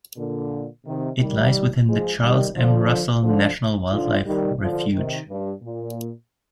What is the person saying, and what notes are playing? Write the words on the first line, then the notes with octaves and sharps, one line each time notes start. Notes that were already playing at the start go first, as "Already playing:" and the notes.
It lies within the Charles M. Russell National Wildlife Refuge.
A#2 D3
C3 D#3
D#3 G3
F3 G#3
D#3 G3
D3 F3
D3 F3
D3 F3
D#3 G3
D3 F3
C3 D#3
G2
A#2